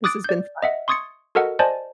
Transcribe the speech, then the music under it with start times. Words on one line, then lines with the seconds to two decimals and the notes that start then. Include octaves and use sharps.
This has been fun.
0.04 D6 D#6 F#6 A6 D7
0.24 D5 G6
0.62 D#5 E5 F#5
0.88 C6 C#6 D#6 G#6 A6 C#7
1.35 F#4 A4 A#4 D#5 F#5
1.59 C5 D5 D#5 G#5 A5